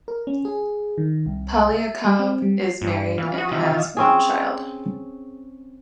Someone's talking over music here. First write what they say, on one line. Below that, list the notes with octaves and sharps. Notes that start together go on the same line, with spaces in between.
Polyakov is married and has one child.
A#4
C#4
G#4
D#3
C2
E5
G3
C4
G3
C7
G2
E3 F4
F#4 D#6
C3 D#3 E3 F4
C4 C#4 G#4